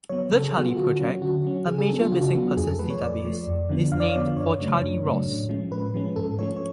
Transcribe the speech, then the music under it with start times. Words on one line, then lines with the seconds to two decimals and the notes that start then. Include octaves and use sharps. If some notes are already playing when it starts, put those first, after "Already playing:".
The Charley Project, a major missing persons database, is named for Charley Ross.
0.09 F#3 B3 C#5
0.32 C#3 A4
0.44 G#4
0.55 F#3 B3 F#4
0.66 F4
0.77 D3 F#4
0.99 F#3 C#4
1.22 D3 F#4
1.44 F#3 C#4
1.67 C#3 G#4
1.78 G#4
1.89 F#3 B3 D4 A4
2.01 F4
2.12 C#3 F#4
2.34 F#3 B3 D4
2.57 F2 G#4
2.68 A4
2.79 F3 A3 B4
2.90 C#5
3.02 F2 D5
3.24 F3 A3
3.47 F2
3.69 D3 F3 B3 D4
3.91 F2 F5
4.00 D5
4.08 C#5
4.14 D3 F3 B3 D4 D5
4.37 F#2 C#5
4.59 C#3 F#3 A3 D4
4.81 F#2
5.04 C#3 F#3 A3 D4
5.26 A2
5.49 F3 G#3 C#4
5.71 A2 B4
5.94 F3 G#3 C#4
6.16 G#2 A4
6.39 F3 A3 C#4 C#5
6.57 C#5